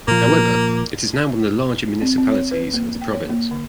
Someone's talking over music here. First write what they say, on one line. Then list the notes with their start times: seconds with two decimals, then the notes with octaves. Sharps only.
However, it is now one of the larger municipalities of the province.
0.08 A#2 F3 A#3
2.01 C4
2.18 C4
2.32 C#5
2.51 B4
2.73 A#3
3.02 G5
3.13 C#5
3.29 A#3
3.51 D3